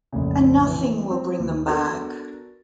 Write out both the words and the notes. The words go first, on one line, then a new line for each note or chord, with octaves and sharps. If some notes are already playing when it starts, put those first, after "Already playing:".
And nothing will bring them back.
A#1 F2 A2 C#3
E3
C4
D#2
B3 D4 F#4 A4 A#4